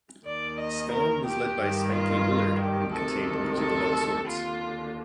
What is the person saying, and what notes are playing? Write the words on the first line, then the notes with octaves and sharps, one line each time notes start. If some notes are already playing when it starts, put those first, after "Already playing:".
Spam was led by Spanky Willard and contained music of all sorts.
D#2 D#3 D5
D#5
A#4
G4
G2 D#3
F4
G4
D2 C3 D#3 A4
A4
D#2 D3 F4